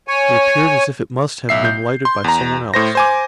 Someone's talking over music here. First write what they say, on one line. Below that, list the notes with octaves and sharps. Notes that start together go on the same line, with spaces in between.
It appeared as if it must have been lighted by some one else.
C#5 G#5
B1 E5 C7
G6
C6
E2 A#5
A2 C5 A#6
C5 G#5 D6